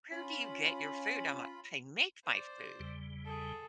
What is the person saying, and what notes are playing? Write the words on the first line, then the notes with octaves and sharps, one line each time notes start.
"Where do you get your food?" I'm like, "I make my food,
C#4 F4 B5
C5 D5
E2 C#3 G3
G#4 A4